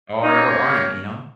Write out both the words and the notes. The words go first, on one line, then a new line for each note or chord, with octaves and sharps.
are or aren't, you know?
A#3 C#4 D#4 G4 C#5 F5